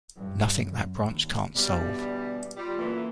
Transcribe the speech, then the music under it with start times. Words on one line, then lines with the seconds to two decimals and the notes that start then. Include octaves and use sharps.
Nothing that brunch can't solve.
0.16 G2
0.54 F#2
1.00 D#2
1.55 B2 D3 E3 G3 D5
2.56 G3 F4
2.78 F#2 A2 E3 A#3